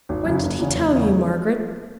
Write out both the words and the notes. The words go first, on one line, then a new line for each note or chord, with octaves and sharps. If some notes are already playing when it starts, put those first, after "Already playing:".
'When did he tell you, Margaret?'
G#1
F#2 C#3
F#1
E2 C#3
F#1
E2 C#3